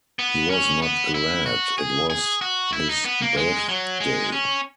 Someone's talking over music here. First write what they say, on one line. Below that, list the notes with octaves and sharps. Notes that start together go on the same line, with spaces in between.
He was not glad it was his birthday.
B3
C#4
B3
E4
F#4
G#4
G#4
F#4
E4
D#4
B3
A#3
G#3
F#3
G#3
C#4